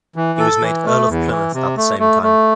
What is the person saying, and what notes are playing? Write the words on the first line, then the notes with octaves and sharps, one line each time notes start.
He was made Earl of Plymouth at the same time.
E3
A4
E3
A3
E2
E3
C3
A3
A3
A3